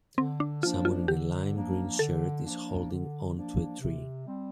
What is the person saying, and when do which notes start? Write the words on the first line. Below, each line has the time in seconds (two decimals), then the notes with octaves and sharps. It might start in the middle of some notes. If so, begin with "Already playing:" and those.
Someone in a lime green shirt is holding on to a tree.
0.17 D3 C4
0.40 D4
0.63 F3 A#3 D4 F4
0.85 F4
1.08 D3 G4
1.54 F3 A#3 D4
1.99 D3 A4
2.45 F3 A#3 D4
2.90 D3
3.35 F3 A#3 D4
3.80 C3
4.26 G3 C4